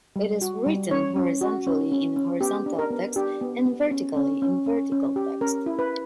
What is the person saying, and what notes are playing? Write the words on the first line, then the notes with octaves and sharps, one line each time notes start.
It is written horizontally in horizontal text and vertically in vertical text.
G3
F#4
G3
C#4 C#5
C#4
F#4
C#4
C#4
C#4
B3 G4
D4
A#4
B3
D4 G4
B3
B3
C#4
C#4
C#4
C#4
C#4
G4
C#4 A#4
E4
B4